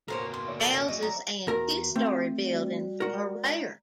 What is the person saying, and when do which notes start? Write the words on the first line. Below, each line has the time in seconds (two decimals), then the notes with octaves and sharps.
Houses and two-story buildings are rare.
0.08 B2 A#3 A#4 C5 C#5
0.34 C6
0.48 C#5 D5 E5
0.60 A4
0.88 F#3 G#4 D#5
1.02 A#5
1.47 E2 F#4 A#4 A#5
1.96 A3 C4
2.46 G3 F#4 D5
3.00 G#3 F#4 A#4 D5 A#5